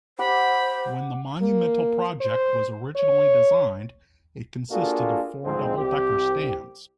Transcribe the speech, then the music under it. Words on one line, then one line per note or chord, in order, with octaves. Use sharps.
When the Monumental project was originally designed, it consisted of four double decker stands.
G4 C5 F#5 B5
A#3
C5
C#5
A#3 D4 F4 F#4 G#4 A4
D2 G#2 F3 G#3 C4
C2 C4 G4